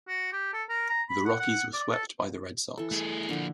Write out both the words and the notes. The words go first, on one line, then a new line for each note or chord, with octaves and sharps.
The Rockies were swept by the Red Sox.
F#4
G4
A4
A#4
A#5
B5
F#5
F#5
D5
A4
E3 A4
A3 G#4
D3 F3 A#3 D4